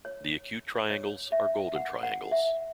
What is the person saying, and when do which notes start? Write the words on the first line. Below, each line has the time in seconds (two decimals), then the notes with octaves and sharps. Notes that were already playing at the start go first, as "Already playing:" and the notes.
The acute triangles are golden triangles.
0.05 C#5
0.90 C#5
1.32 E5
1.76 F#5
2.03 F#5
2.32 E5